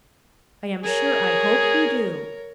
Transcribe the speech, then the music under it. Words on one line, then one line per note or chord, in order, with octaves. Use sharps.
I am sure I hope you do.
G#4 A#4 C#5